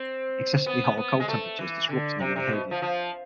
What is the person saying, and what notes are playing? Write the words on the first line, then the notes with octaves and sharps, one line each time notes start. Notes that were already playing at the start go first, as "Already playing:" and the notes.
Excessively hot or cold temperatures disrupt normal behavior.
Already playing: C4
B3
B3
G#3
A3
E3
D3
C3
C3
B2
F3
F3